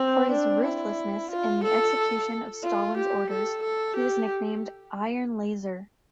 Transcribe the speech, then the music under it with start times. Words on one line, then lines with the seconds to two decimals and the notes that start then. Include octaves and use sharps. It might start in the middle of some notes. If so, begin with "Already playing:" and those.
For his ruthlessness in the execution of Stalin's orders, he was nicknamed "Iron Lazar".
Already playing: C4
0.31 D4
0.64 E4
1.31 F4
1.64 A4
2.63 F4
2.98 G4
3.30 A4
3.63 A4
3.97 G4